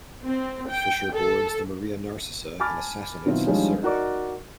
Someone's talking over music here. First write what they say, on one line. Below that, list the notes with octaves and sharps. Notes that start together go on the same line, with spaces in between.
Fisher boards the "Maria Narcissa" and assassinates Lacerda.
C4
G5
A4
G#5 A5 B5 D6 F6 A6
B2 D#3 F#3 C4 E4 F4
D3 D#3 F3 G3 G#3 C#4
D#4 F#4 A#4 D5